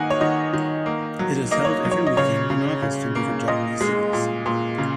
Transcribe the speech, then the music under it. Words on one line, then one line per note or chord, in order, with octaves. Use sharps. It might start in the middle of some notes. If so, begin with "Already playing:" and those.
It is held every weekend in August in different Japanese cities.
Already playing: D#3 A#3 D#5 F#5 G#5
C#5
D#3 D#5
D#3
A#3
F#3
A#3 D#5
C#5
F#3
C#5
D#5
C#3 C#5
C#3
C#3
A#3
A#2 D#5
G#3
A#2
A#2
C#3